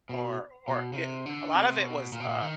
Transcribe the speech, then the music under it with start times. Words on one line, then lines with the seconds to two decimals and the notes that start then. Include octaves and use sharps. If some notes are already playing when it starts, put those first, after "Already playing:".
Or or eh a lot of it was, uh,
0.09 B2
0.68 B2
0.93 C#3
0.96 C3
1.26 D3
1.55 C3
1.84 B2
2.13 A#2
2.20 B2
2.28 A#2
2.41 D#3